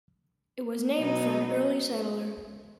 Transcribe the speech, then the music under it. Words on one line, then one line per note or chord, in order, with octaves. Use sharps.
It was named for an early settler.
B2 F#3 B3 D#4